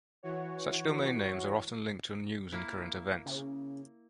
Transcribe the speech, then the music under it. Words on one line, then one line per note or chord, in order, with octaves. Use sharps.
Such domain names are often linked to news and current events.
E3 F#4 C#5
A#3 E4
C#3